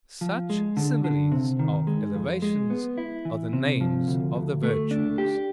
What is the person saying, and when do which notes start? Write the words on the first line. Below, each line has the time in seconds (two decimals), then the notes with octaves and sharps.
Such similes of elevations are the names of the virtues.
0.21 F3
0.50 G#3
0.77 D3
1.04 D3
1.32 C3
1.59 D#3
1.87 G#3
2.15 F2
2.42 G#3
2.70 B3
2.98 E4
3.25 E3
3.53 C3
3.81 F3
4.08 D2
4.36 D2
4.63 A3
4.91 D4
5.18 G4